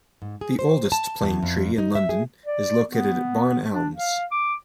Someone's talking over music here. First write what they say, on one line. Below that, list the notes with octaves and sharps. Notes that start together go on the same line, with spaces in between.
The oldest plane tree in London is located at Barn Elms.
G#2
G#4
C5
A5
E2
F2
D#4
E5
G#4
D5
B3
D4
F5
D6